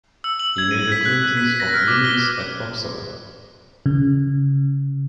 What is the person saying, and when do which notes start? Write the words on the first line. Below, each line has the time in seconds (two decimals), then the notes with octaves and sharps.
He made the acquaintance of Linnaeus at Uppsala.
0.24 E6
0.39 F#7
0.58 G#6
0.71 D#7
0.92 B6
1.05 F#6
1.22 F#6
1.37 B6
1.60 A#6
1.74 F6
1.88 D6
2.05 G7
3.86 C#3